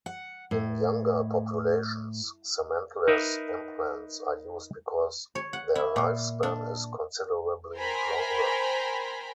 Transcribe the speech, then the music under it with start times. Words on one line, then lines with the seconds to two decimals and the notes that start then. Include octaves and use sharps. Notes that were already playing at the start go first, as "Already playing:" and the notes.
In younger populations, cementless implants are used because their lifespan is considerably longer.
0.06 F#5
0.51 A2
3.08 D#4 A#4 B4 E5
5.35 C#5
5.53 F#5
5.75 E4
5.96 A#2
6.43 D4
7.76 A#4 C5 G5 G#5 A#5 B5